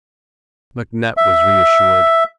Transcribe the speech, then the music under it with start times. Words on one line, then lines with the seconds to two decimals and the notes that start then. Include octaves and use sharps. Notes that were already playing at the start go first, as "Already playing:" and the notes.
McNutt was reassured.
1.17 E5